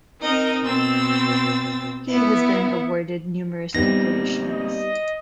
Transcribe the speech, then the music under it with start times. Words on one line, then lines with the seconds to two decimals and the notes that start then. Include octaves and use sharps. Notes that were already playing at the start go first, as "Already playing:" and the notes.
He has been awarded numerous decorations.
0.20 C4 D#4 A#4 D#5
0.62 B2 C4 E6 A6
2.08 B3 E4
3.75 A#2 G3 B3 C4 D#4 A#6
4.51 D#5